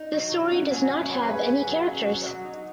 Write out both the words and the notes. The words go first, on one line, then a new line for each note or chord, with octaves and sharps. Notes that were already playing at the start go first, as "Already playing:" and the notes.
The story does not have any characters.
Already playing: D#4
F#3
F#3
C#4 F#5
F#3 G#5
C#4 F#5
C#5
F#3
B4
G#4 B4
F#5
B4 G#5
F#5
F#3 G#4
C#4
F#3 F#4
F#3
D#4